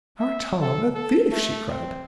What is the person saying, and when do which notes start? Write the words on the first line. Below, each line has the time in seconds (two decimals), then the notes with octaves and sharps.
"Our Tom a thief!" she cried.
0.19 E5
0.61 A4
0.94 A4
1.32 A3
1.69 C4